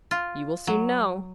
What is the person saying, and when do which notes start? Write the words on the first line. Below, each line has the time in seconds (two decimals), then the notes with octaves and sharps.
"You will soon know."
0.11 F4
0.67 F#3